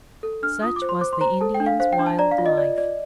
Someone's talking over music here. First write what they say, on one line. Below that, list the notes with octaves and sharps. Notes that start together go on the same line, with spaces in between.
Such was the Indians' wild life!
A4
D4 F6
F4 D#6
D6
C5
C6
C5 D6
C6
C5 A#5
A4 A5
G5
D4
F5
C5 F5
G5
D4
A5
D5 A#5
F5
F4
D#5
D5
D5